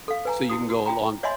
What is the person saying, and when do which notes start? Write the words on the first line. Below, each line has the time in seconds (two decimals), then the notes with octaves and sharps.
So you can go a long
0.08 A4 F5
0.25 B4 G#5 A#5
0.50 E4 F#4 D#6
0.70 F#4
0.86 F4 G5 A#5
1.23 C#5 D#5 E5 G#5 B5 C6